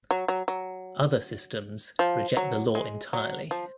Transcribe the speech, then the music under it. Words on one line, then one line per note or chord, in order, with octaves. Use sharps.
Other systems reject the law entirely.
F#3
F#3
F#3
F3
F#3
G#3
F#3
F3